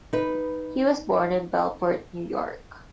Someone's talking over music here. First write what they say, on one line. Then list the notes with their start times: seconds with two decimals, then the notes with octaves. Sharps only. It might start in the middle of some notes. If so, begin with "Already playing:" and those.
He was born in Bellport, New York.
0.13 D#4 B4